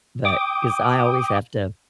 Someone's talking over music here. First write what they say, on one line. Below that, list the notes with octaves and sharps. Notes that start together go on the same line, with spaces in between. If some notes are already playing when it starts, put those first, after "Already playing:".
but 'cause I always have to,
G5 D6 D#6